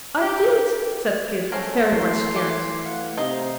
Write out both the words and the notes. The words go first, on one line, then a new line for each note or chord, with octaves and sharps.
"I did," said Kit, very much scared.
G4
A3 C4 C#4 A#4 C#5 C6
E3 A3 C6
G4
F5 F#5
C3 D#4 C5 F5